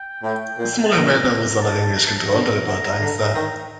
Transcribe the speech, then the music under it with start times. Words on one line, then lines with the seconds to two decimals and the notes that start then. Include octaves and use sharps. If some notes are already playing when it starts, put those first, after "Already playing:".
The small remainder was under English control to repair tanks there.
Already playing: G5
0.23 A2
0.57 A#2
0.85 A5
0.93 A#2 A#5
1.62 A5
1.96 A#5
2.07 A5
2.17 A#5
2.30 D3
2.66 D3
3.00 D3
3.34 D#3